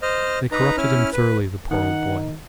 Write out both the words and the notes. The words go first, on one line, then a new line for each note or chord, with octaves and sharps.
They corrupted him thoroughly, the poor old boy.
C5 D#5 F6
D#4 B4 A#5
C#4 E4 F6
B4
D#3 D#4 F#5